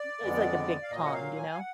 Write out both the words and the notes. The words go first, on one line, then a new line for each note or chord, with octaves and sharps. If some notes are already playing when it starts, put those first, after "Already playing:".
it was like a big pond, you know?
Already playing: D5
F2 D3 G#3 B3
F5
A#2 F#3 A#3 D#5
F#5
F5
G#5
F5
F#5